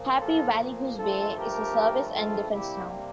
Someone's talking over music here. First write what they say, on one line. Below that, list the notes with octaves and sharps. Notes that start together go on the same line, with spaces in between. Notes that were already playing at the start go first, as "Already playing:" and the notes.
Happy Valley-Goose Bay is a service and defence town.
Already playing: A#2 F3 A#3
F4 A4
G2 F3 A3 F4 A4
G4 A#4
F4 A4
C3 G3 A#3 E4 G4